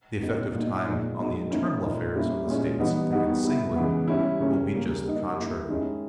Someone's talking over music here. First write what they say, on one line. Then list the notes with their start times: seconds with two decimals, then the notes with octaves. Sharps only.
The effect of time on the internal affairs of the States, taken singly, will be just the contrary.
0.21 C#3 G3 B3 D#4
0.55 A#2 A#3 D#4
0.86 A#2 G#3 B3 D#4
1.19 B2 G#3 D#4
1.50 D#3 A#3 C#4 E4
1.82 A#2 A#3 D#4
2.15 G3 A#3 C#4 E4
2.47 A#2 G#3 C#4
2.79 E3 G3 B3 D#4
3.10 D#3 G3 B3 D#4
3.43 G3 B3 E4
3.76 C#3 E3 G#3 B3
4.08 G3 C#4 E4
4.40 C#3 G3 A#3 C#4
4.72 C#3 G3 A#3
5.03 G3 A#3 D#4
5.36 G3 A#3 E4
5.68 D#3 G#3 C#4 E4